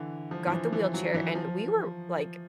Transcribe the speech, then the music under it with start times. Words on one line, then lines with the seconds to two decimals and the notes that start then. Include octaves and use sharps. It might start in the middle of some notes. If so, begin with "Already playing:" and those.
got the wheelchair, and we were, like
Already playing: D3 E3
0.31 F3
0.47 E3
0.52 F3
0.73 E3
0.94 F#3
1.14 E3
1.35 F3